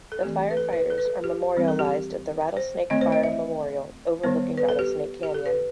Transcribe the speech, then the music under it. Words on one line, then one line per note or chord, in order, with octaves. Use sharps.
The firefighters are memorialized at the Rattlesnake Fire Memorial overlooking Rattlesnake Canyon.
A4
E3 A3 C4 G4
B4
A4
B4
A4
B4
A4
G4
E3 G3 C4
A4
G4
C5
D#3 A3 C4 D#5
C5
D#5
E5
D#3 G3 B3 C5
B4
A4
G4
G4
A4
B4